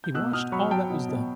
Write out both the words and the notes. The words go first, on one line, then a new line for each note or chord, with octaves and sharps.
He watched all that was done.
G6
B2 E6 F#6
B2 D#6 F6
F#3 B5 C#6
F#3 G5 A5
B2
B2